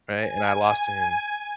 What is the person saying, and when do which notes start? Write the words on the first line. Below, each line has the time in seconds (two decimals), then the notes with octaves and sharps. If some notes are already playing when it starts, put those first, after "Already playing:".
Right? And I lost to him.
0.15 G#5